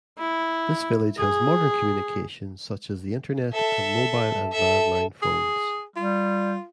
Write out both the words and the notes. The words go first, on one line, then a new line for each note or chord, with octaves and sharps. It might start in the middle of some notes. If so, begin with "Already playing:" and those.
This village has modern communications such as the internet and mobile and landline phones.
E4
G#4
A4 E5
A4 E5
G#4
G3 F4